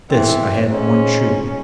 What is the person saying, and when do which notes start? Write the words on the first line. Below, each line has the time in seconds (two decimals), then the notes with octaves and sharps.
This I had in one shoe.
0.11 E3 C4
0.70 G#2 C#4